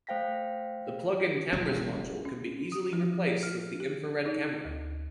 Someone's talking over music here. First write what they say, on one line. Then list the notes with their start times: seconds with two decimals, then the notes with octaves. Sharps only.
The plug-in cameras module can be easily replaced with the infrared camera.
0.07 A3 C5 F5 G5 A#6 B6
1.53 E1 C2 B2 C#4
2.25 C#4
2.72 D#6
2.93 F3
3.43 F6
3.80 G4
4.26 D#4
4.65 D2